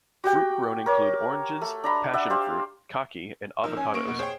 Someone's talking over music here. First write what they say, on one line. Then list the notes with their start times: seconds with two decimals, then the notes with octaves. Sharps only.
Fruit grown include oranges, passionfruit, kaki and avocados.
0.24 F#4 G4 G5
0.86 A#4 C#5 D6
1.61 A3
1.84 D4 A#5 B5
2.13 D5 E5 F#5
2.30 G4 C5 F5
3.64 F3 D#4 A#4 E6
3.77 C#4 G#5
3.94 A#3 A#4 C#6 D7
4.06 F2 B2
4.19 G#4 C5 C#5 G5